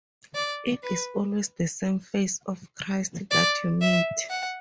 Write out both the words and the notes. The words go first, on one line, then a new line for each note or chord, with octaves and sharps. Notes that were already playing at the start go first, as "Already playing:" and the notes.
It is always the same face of Christ that you meet.
D5
B4
D5
E5
F#5